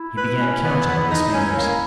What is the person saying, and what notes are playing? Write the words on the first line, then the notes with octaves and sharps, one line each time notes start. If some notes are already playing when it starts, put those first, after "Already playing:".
He began counting on his fingers.
Already playing: E4
B4
C#4
B3
B3
D#4
C#4
A#3